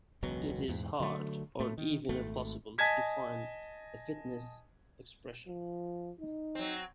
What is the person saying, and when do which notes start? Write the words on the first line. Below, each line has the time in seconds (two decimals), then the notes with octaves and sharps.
It is hard or even impossible to define the fitness expression.
0.23 E1 C#2 B2 F#3
0.68 E2 G#2
1.00 D3 F#3 G3 A3
1.60 A2 A3
1.78 D#3
2.09 G#1 A3
2.78 D#5 G#5 A5 G#6 B6
5.48 F3
6.20 D#4
6.55 F#3 C4